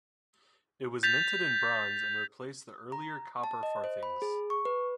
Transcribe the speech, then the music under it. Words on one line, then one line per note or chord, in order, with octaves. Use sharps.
It was minted in bronze, and replaced the earlier copper farthings.
G6 A6 B6 F7
A#5
A5
D#5
C5
B5
G#4
C#6
B4